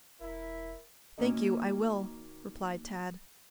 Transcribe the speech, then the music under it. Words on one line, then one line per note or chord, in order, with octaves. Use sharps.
"Thank you, I will," replied Tad.
E1 E4 A#4
A#2 D#3 A#3 C#4 F#4 D#5